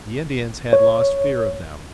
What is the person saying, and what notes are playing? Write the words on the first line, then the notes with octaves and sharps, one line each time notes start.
The Indians had lost fear of them.
C#5